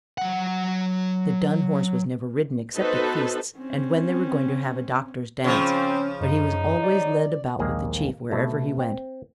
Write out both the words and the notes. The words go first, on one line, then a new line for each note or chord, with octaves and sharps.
The dun horse was never ridden except at feasts, and when they were going to have a doctors' dance, but he was always led about with the Chief wherever he went.
F#3 F#5
B3 D#4 F#4 A4 B4 C5
C4 C#4
C#3 F3 C4 C#4
F#2 D#4
D5
A#1 D#2 G#3 A#3 G#4 D#5
B2 A3
C4